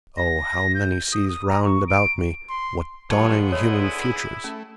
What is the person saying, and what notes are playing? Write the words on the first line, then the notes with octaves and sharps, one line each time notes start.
Oh, how many seas round about me, what dawning human futures!
A#6
G6
D#6
D#6
A#5
C#6
D7
C6
G#2 D3 F3 G3 G#3 B3 C#5 A5
E4 C#5 D#5
G#4 D#6
A3 C#4